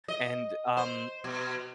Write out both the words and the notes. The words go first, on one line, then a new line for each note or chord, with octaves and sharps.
and, um,
D#5
C5
B2